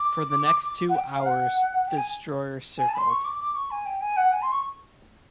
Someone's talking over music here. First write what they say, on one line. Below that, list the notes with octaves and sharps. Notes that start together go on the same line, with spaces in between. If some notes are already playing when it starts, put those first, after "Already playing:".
For the next two hours, the destroyer circled.
Already playing: D6
D6
F#5
G5
F5
F#5
G5
G#5
G#5
A5
B5
C6
C#6
D6
D6
C#6
G#5
G5
G#5
F#5
G#5
C6
C#6